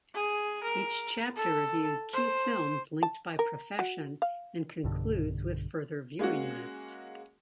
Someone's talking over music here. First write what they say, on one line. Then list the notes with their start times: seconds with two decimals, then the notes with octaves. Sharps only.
Each chapter reviews key films linked by profession and concludes with further viewing list.
0.14 G#4
0.64 A#4
1.36 A4
2.13 C5
3.03 A5
3.39 A#4
3.79 F#4
4.22 F5
4.84 B1 G2 B2 D3
6.19 G#3 A#3 C#4 F#4